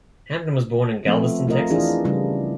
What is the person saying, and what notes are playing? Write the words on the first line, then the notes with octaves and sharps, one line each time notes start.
Hampton was born in Galveston, Texas.
F3 A3 B3 C4
A3 F4 A#4 D#5
E3 D4 F4 G#4
C#3 G3 D4